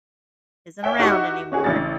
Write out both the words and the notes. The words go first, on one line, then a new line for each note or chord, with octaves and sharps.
isn't around anymore,
C#5 E5 G5 G#5
D#4 F#4 G4 E5 C#6
C#4 F#4 G#4
A1 C#3 D4 A6